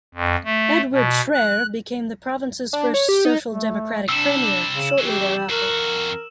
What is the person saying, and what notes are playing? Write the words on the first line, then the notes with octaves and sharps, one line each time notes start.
Edward Schreyer became the province's first social democratic Premier shortly thereafter.
F2
A3
B2
F#6
D4
C#5
G4
D#4
A3
C3 G3 D4 E6 E7
C#3
C#3 E3 G4
F2 F#4 A#4